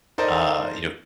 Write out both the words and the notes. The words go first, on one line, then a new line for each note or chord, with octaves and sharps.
uh, you know.
D#4 A4 A#4 C5 D5 D#5